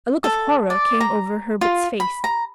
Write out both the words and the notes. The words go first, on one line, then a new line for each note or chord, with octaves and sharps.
A look of horror came over Herbert's face.
A4
D5
A#5
F4
B5
A#5